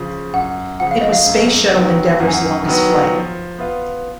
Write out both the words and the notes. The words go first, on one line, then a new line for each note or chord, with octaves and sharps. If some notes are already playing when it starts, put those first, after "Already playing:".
It was Space shuttle Endeavour's longest flight.
Already playing: C#3 F3
F#2 F#5
C#3 F3 F#5
F5
D#5
F5
F#2
D#3 F#3 B3
F#2 F#5
G#5
F#5
D#3 F#3 B3
F3
B3 F4